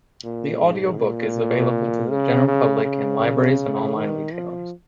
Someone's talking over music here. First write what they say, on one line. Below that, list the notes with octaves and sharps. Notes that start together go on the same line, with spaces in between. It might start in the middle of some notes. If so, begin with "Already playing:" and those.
The audio book is available to the general public in libraries and online retailers.
A#2
G#2
A#2
C#3
C#3
C#3
D#3
F3